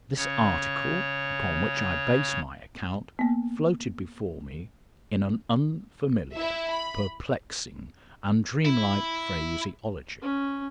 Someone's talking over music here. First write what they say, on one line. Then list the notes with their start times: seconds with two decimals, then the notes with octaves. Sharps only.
This article upon which I base my account floated before me in an unfamiliar, perplexing, and dream-like phraseology.
0.17 C#3 C#5
3.19 A#3 B3
6.33 E4 E5
6.70 B5
8.65 E4
10.22 C#4